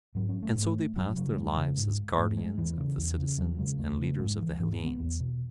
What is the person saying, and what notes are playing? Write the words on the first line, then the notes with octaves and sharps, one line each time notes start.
And so they passed their lives as guardians of the citizens and leaders of the Hellenes.
G#2 F#3
C#4
A3
G#2 A3
F#2 F#3
C#3 F#3
F#2 G#3
C#3
G#2
G#2 A3
G#3
E2 E3
C#3
E2
C#3
E2 F#3
C#3 G#3
E2 A3
C#3
G#2 G#3
E3
G#2 E3
B3
B3
E2
B2